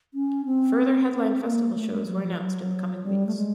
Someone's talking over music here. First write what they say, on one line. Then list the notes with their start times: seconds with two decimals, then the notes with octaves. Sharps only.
Further headline festival shows were announced in the coming weeks.
0.14 C#4
0.45 C4
1.09 C4
1.43 A#3
1.74 A3
1.91 G#3
2.07 F#3
2.22 F3
2.39 F#3
3.04 G3
3.27 A3
3.36 G#3